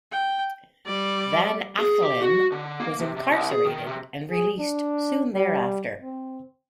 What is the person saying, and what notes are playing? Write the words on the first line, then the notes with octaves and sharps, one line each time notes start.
Van Achelen was incarcerated and released soon thereafter.
G5
G3 D5
G#4
G4
F#4
D3
A#3
C3
C3
C2
G#4
D#3
C3
G#4
D4
G3
C4